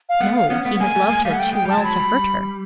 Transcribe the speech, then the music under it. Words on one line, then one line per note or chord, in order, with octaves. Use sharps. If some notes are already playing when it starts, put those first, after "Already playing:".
'No, he has loved her too well to hurt her.'
F5
A3 B3 F#5
F5
B3 C#4 F#5
A3 B3 F#5
G#3 A#3 G#5
G3 A3
G#3 A#3
G3 A3 F5
F#5
A3 G5
G#3 G5
G3 A5
F#3 G#3
B5
G3